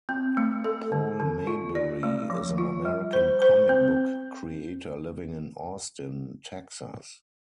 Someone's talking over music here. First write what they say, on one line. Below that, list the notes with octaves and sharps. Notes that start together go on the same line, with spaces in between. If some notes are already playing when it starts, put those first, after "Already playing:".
Paul Maybury is an American comic book creator living in Austin Texas.
C4
A3
A4
D3
D3
F4
D5
A3
F3
F4
G3
C5
C5
C4